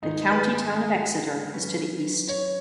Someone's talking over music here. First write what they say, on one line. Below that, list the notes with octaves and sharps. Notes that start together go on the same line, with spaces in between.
The county town of Exeter is to the east.
G#2 D#3 G#3 D#4
B4
G#4
F#3 C#4 B4
C#5